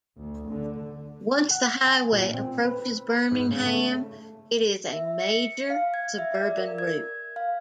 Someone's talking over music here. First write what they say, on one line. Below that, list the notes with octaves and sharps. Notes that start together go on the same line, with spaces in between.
Once the highway approaches Birmingham, it is a major suburban route.
D2
D3
F#5
G#5
A#2
C4
B4
G#2
C#3
A3
E5
C#7
F5
G#6
E5
D5
A#4
G#6
F5